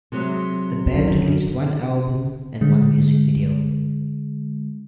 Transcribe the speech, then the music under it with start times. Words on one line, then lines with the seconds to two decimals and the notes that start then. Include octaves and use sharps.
The band released one album and one music video.
0.12 C3 F#3 G#3
0.89 F#2
2.61 D3 G#3